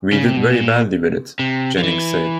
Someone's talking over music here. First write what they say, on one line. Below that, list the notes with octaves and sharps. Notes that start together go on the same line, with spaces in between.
"We did very badly with it," Jennings said.
C#3
C3
B2
A#2
C3
F3
E3